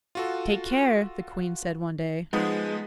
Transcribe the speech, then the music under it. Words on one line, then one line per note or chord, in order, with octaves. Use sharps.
"Take care," the Queen said one day.
F4 F#4 A4
F3 G#3 B3 D#4